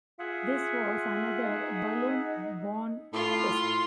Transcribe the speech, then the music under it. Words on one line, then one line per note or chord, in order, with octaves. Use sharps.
This was another balloon-borne test.
F4 G#4 E5 F#5
D#4
A2 F4 C6